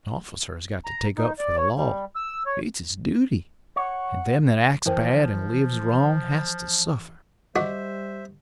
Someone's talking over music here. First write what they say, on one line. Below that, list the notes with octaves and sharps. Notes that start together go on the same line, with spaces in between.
A officer has got to take up for the law--it's his duty--and them that acts bad and lives wrong has to suffer.
A#5
D#4
D5
C#5
G3
E6
C#5
C#5 F#5
E3 F3 A#4 C5 G5
G3 F#4 C5 D#5 E5 D6